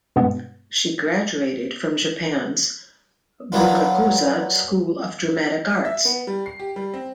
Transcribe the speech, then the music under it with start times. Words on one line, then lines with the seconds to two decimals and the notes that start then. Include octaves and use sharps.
She graduated from Japan's Bungakuza School of Dramatic Arts.
0.16 G2 B2 G#3 B3
3.52 F#3 A#3 B3 D4 F4
5.85 E5
6.05 B3
6.27 G3
6.46 C7
6.60 G4
6.76 G3
6.94 C4